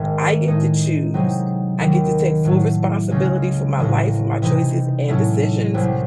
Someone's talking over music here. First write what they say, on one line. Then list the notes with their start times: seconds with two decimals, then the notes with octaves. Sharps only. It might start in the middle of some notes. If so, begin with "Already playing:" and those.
I get to choose, I get to take full responsibility for my life, for my choices and decisions,
Already playing: G#1 G#2 D#3 G#3
0.48 A2 G#3 D#4
1.14 C3 F#3 C4 D#4 G#4
1.78 D#2 D#3 F#3
2.45 A2 F#3 A3
3.11 C#2 C#3 G#3 C#4
3.77 A1 A2 E3 C4
4.42 C3 E3 G#3 D#4
5.08 A2 F#3 A3 C#4 E4
5.74 C2 C3 F#3